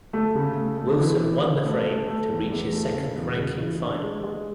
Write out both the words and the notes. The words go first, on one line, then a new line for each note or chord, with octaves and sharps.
Wilson won the frame to reach his second ranking final.
A3
C#3
A3
A3
E3
E3
C#3
A3
A3
A3
E2
E2
A3
C#3
E2
C#3
E3
D4
G#3
G#3